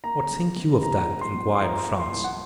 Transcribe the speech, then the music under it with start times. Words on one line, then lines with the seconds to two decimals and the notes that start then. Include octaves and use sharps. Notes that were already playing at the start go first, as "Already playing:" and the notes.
"What think you of that?" inquired Franz.
0.04 A#3 A#5
0.31 F#2
0.56 F#2
0.82 F3 A#5
1.09 A#3
1.21 C6
1.35 F#2
1.55 C6
1.61 F3 A#5
1.87 A#3
2.00 C6
2.12 C2
2.24 F#5